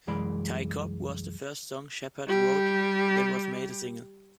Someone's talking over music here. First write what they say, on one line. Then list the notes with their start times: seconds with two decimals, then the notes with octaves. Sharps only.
"Ty Cobb" was the first song Shepherd wrote that was made a single.
0.07 C2 F#2 E3 G#3 D5 B5
2.27 G3 G4